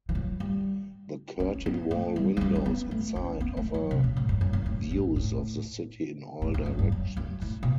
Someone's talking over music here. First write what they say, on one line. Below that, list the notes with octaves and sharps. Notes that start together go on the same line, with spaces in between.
The curtain-wall windows inside offer views of the city in all directions.
E3
F#3
G3
C#4
B3
A3
G3
A3
G3
C#4
B3
A3
C#4
B3
A3
F#3
C#3
B2
A2
F#2
F#2
F#2
A2
A2
A2
A2
E2
F#2
G2
F#2
F#2
A2
B2